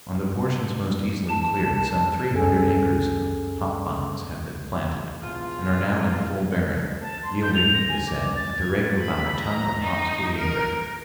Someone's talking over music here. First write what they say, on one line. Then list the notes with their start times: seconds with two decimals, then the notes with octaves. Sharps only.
On the portions most easily cleared some three hundred acres of hop vines have been planted and are now in full bearing, yielding, it is said, at the rate of about a ton of hops to the acre.
1.28 A5
2.33 C#2 F#2 C#4 G#4 A4 G#5
5.22 E1 F4
7.01 A5
7.23 C6
7.42 G6
7.55 F7
7.74 A#6
7.89 G#5
8.07 D6
8.36 A6
8.58 G#6
9.00 B5
9.39 A#5
9.82 D#4
10.35 A#4